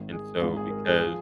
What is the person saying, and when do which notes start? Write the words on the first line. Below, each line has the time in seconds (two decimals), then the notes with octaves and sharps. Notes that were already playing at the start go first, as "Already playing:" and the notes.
And so, because,
Already playing: G#1 G#2 D#3
0.13 G#4
0.41 G#1 G#2 D#3 F4
0.56 G#4
0.70 A#4
0.86 G#4
1.00 F3 G#4